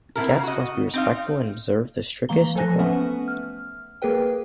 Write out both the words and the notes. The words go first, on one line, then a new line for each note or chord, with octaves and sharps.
Guests must be respectful and observe the strictest decorum.
B3 C4 E4 A4 A#4
C#3
F#4 D#5
C4 D#4 F5
E3 A3 A#3 F5 A#5 G7
F3 A4 C5 G#5 F#6 A#6
A3 B3 C#4 B4 E5 F#5
F6
A#3 G#4 A#4 B4 G5